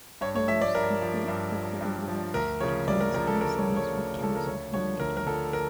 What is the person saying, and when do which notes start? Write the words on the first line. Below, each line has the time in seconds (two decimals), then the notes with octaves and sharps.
Fuller's "Complete Recorded Works" contains many songs with Council playing guitar.
0.21 G2 C#5
0.35 C#5
0.48 F3 E5
0.62 D5
0.75 G2 A#4
1.02 F3
1.28 G2
1.55 F3
1.81 G2
2.08 F3
2.34 D2 A#4
2.60 C#3 F3 C#5
2.87 D2 D5
3.01 A#4
3.14 C#3 F3 A#4
3.27 A4
3.41 D2 A#4
3.58 C#5
3.67 C#3 F3
3.77 C#5
3.93 D2
4.20 C#3 F3 A4
4.35 A#4
4.47 D2 C#5
4.74 D3 F3 C#5
5.00 D2 A#4
5.17 A#4
5.26 D3 F3 A4
5.53 A#4